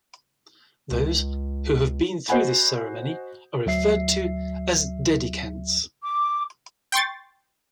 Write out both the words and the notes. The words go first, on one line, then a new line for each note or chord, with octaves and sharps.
Those who have been through this ceremony are referred to as "Dedicants".
C#2
F#4 C5 D#5 F#5 G#5 B5
D2 F#3 E5 C7
D6
G5 C6 C#6 A6